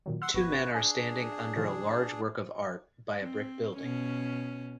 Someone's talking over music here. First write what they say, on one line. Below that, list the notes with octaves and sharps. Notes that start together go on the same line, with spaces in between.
Two men are standing under a large work of art by a brick building.
A#2 D#3 F#3
F#5 C6 E6 F#6
G#1 B3 F#4 B4 G#6
D4 G#4 G#5
C3 D#3 F3
C4
B2 C#4